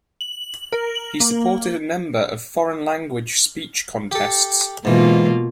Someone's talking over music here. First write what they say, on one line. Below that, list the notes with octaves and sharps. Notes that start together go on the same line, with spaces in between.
He supported a number of foreign language speech contests.
F#7
A#4
F#7
A#3
G4 A4
G#2 B2 E3 A#3 F4